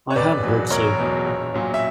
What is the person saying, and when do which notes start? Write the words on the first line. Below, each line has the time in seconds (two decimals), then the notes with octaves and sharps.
I have heard so.
0.10 C#5
0.16 E1 B4 D5
0.43 E2 B2 F#3
0.71 E1 A#4 C#5
0.99 E2 B2 F#3
1.26 A#1
1.54 A#2 F#3
1.74 E5